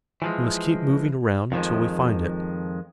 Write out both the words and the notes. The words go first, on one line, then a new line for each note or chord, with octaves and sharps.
We must keep moving around until we find it.
E3 F3 G#3
F2 D#3 F3 G#3